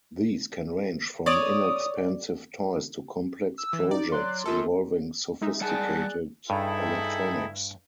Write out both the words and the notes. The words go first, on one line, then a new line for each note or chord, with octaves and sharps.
These can range from inexpensive toys to complex projects involving sophisticated electronics.
C#5 D5 D#6
E6
E3
D#4 D5
F#3 C6 F#6
F#2 F4 A4
G#3 D#4 E5
G3 G#4 D5 F#5 A5 F#6
G2 D#4 E4 G#4 A4 G5